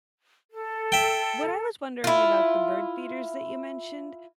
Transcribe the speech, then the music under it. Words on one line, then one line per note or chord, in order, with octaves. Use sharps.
What I was wondering about the bird feeders that you mentioned,
A4
E5 G5
E4 F4